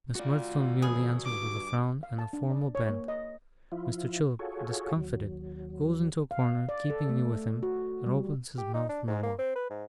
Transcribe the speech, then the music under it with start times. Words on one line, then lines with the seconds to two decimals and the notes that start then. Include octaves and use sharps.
Miss Murdstone merely answers with a frown and a formal bend: Mr. Chillip, discomfited, goes into a corner, keeping me with him, and opens his mouth no more.
0.16 F4 F#4 D5
0.82 F2 B3 G#4
1.25 G2 D6
2.03 F5
2.19 A5
2.33 D4
2.50 D5
2.75 C#5
2.89 A#3
3.08 D#5
3.72 F3 E4 F4
4.39 F4 F#4 G#4 A4 C#5
4.96 D#2 F#3
6.31 F5
6.69 D5
6.90 A4
7.09 A3
7.63 F#4
8.06 G3
8.58 G4
8.74 D#4
8.89 D4
9.07 G#2
9.23 A#3
9.39 C4
9.55 B4
9.70 G#2